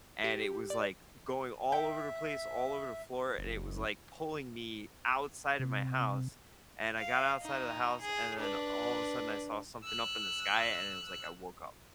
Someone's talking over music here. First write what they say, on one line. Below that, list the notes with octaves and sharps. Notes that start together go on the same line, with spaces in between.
And it was like going all over the place, all over the floor, and it was like pulling me outside of my house, and I got outside of the house, and then all of a sudden I saw something up in the sky, and it was like I woke up.
G4
D5
E5 G5
F#1
C3
F5
D#4
G#4
D4 B4
E6 F#6